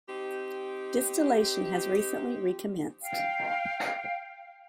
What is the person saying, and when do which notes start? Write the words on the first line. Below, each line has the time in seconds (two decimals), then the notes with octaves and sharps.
Distillation has recently recommenced.
0.08 C4 D#4 G4
3.02 F5 G5